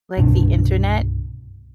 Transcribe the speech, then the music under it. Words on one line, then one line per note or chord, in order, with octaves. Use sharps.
like, the Internet
C2 G2 B2 D4